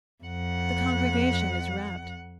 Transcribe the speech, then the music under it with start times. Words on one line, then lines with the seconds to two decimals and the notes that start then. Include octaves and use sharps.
The congregation is rapt.'
0.24 F2 F#5